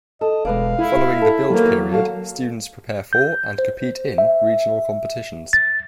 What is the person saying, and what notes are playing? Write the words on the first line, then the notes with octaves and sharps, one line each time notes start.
Following the build period, students prepare for and compete in regional competitions.
A4 D#5
E1 G#3 B4 D5 F5
E4 G#4
A4
D#3 F#3 A#3 B3
F#4 A4 F5
G6
C5
E5
A6